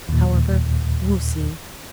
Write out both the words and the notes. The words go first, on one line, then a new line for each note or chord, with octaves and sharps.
However, we'll see.
D#2 A#2